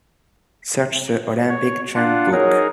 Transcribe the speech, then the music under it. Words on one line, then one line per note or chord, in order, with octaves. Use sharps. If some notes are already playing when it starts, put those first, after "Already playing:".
Search The Olympic Champ book.
C#5
D4 F4 F#5
F#3 D#4 G#4 A#4